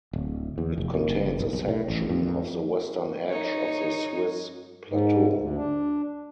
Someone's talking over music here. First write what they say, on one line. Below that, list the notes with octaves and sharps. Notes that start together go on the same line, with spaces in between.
It contains a section of the western edge of the Swiss Plateau.
D1
E2
F1
D#2
F#1
B1
B1
A2
A1
F2
D#4 C#5
G#2
D2
D4